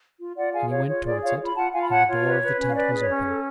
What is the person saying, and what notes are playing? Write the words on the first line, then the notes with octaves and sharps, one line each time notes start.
And he went towards it; and the door of the tent was open.
F4
F4 D5 F#5
G#4 F5 G#5
F4 C#5 F5
F4 C#5
G#4 D5
F4 C#5 F5
F4
B5
F4 F#5 A5
F4 F5 G#5
B5
C#5 F#5 A5
F4 C#5
B4
B4
C#4
F5
B4 D5
G#4
C#5
C#4
A4